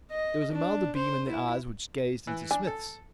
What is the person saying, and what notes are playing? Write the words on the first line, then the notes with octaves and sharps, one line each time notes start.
There was a milder beam in the eyes which gazed into Psmith's.
D#5
D4
C5
E4
E3
D4 G#5
A4